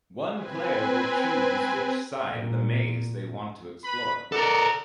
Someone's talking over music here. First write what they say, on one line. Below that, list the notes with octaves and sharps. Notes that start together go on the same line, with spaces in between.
One player will choose which side of the maze they want to explore.
C4 B4 G#5
A#2
B4 B5
D#4 A4 A#4 D5 F#5